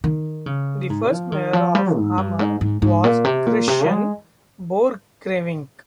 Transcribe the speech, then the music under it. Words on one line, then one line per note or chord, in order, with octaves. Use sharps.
The first mayor of Hamar was Christian Borchgrevink.
D#3
C#3
G#2
F3
D#3
F3
G3
G#2
G2
G#2
G#2
G#2
A#2
C3
A#2
C3
G#3